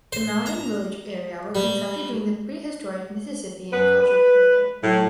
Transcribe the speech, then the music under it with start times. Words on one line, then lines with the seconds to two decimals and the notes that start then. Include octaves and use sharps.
The mound and village area were constructed during the prehistoric Mississippian culture period.
0.13 C5
0.46 A#5
1.55 G3
3.73 F#2 B3 B4
4.01 B4
4.83 A2 F#3